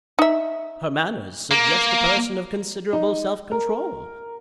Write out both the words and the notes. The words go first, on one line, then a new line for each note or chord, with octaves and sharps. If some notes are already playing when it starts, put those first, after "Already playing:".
Her manners suggest a person of considerable self-control.
D#4 E5
A#3
D#4
A#4